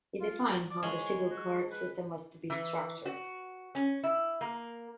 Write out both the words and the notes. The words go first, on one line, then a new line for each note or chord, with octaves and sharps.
It defined how the civil court system was to be structured.
F4
D5
G#3 C#5
F#4
B4
E3
F#4
C#4
E4
A#3